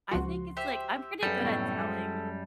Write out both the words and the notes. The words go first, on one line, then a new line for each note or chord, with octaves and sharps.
I think it's, like I'm pretty good at telling,
C#2 F3 F#4 C6
G4 C5 E5
F#2 G3 G#4 A4 B4
A2 C3 B3
G#3